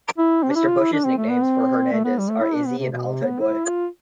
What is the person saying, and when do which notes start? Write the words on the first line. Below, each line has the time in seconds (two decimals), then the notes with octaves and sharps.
Mr. Bush's nicknames for Hernandez are Izzy and Altoid Boy.
0.18 E4
0.43 C4
0.51 D4
0.56 E4
0.68 F4
0.80 E4
0.93 D4
1.05 C4
1.18 A3
1.30 B3
1.43 C4
1.92 A3
2.04 B3
2.18 G3
2.30 A3
2.41 E4
2.55 D4
2.67 B3
2.79 C3
2.92 B2
3.08 C3
3.24 B3
3.41 E4
3.66 F4